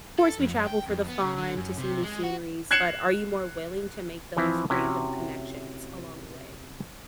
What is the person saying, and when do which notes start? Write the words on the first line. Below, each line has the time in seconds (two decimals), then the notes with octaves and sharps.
of course, we travel for the fun, to see new sceneries- but, are you more willing to make those random connections along the way?
0.19 A4
0.40 F2
0.56 F#2
0.67 G5
0.88 F2
1.09 B3
1.21 C#3
1.38 D3
1.57 F#2
1.78 C3
2.03 G#3
2.23 F#4
2.71 F#6 G#6 C7 C#7 E7 F#7
4.37 E3 F3 C4 E4
4.70 C3 C#4 E4 F#4